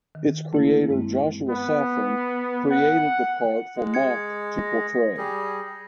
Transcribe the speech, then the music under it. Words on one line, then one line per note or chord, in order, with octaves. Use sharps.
Its creator Joshua Safran created the part for Mock to portray.
D#3
A3 A#3 E4
G2 G#3 C4
B3
F#5
G#3
G#6 C#7
A#6
G3 G#4